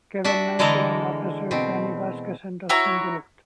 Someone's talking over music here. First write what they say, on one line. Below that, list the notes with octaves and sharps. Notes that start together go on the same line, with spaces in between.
Kevin Mansell and Officers Danny Vasquez and Dustin Dillard.
D4 F#4 E5
D3 E3 G#3 A4 A#4 A#5
B2 C4
E4 F#4 C#5 A#5